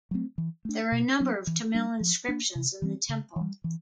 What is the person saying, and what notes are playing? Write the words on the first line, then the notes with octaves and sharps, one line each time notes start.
There are a number of Tamil inscriptions in the temple.
F#3 A3 C4
E3
A3 D4
B2
F#3 B3 D4
E3
G3 A#3 D4
F3
A#3 D4
C3
E3 G3 C4
C#3
E3 G3
E3